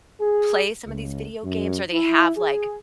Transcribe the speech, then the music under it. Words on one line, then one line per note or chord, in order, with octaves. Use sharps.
play some of these video games, or they have, like,
G#4
C#2
F#2
E4
G#4